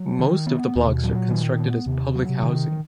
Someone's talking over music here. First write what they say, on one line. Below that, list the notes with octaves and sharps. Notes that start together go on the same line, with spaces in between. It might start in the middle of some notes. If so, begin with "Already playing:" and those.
Most of the blocks are constructed as public housing.
Already playing: F#3
D#3
B3
D#2
C3
B2
A#2 F#3
D#3
B3
D#2 C3
F#3
C3
D#3